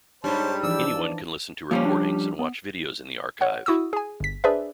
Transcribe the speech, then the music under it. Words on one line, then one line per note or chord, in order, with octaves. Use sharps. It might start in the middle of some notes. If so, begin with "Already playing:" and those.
Anyone can listen to recordings and watch videos in the archive.
G#2 G3 D4 D#4 C5 C#5 A5
E3 F3 D4 D5 E6
F3 G3 A#3 C#4
D4
B3
C#5 F#5
E4 F#4 D#6 E6
G#4 G#5
G1 B6
D4 G#4 B4 C5 D5 E5